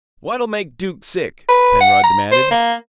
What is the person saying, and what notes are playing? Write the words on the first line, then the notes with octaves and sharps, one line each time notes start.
"What'll make Duke sick?" Penrod demanded.
B4
F#5
A#5
C5
A#3